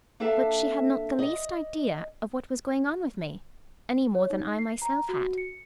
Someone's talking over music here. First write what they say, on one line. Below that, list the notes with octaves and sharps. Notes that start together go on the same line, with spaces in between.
But she had not the least idea of what was going on with me, any more than I myself had.
A#3 D4 A4 E5 F5 A5
D5 D#5
C#5
D#4
C7
A#5
F#4
C#7